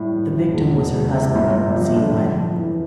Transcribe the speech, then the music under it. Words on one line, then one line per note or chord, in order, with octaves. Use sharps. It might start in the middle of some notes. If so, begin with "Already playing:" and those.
The victim was her husband Zi Wen.
Already playing: A2 G3
E3
A2
E1
E1
E1
C3
G1
G1
F3
D3
F2
F2
E3